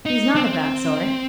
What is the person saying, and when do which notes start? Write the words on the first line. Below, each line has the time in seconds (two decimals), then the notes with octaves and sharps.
He's not a bad sort.
0.06 D#4
0.36 C4